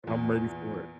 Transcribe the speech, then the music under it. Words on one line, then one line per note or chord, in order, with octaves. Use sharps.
I'm ready for it.
E2 A#2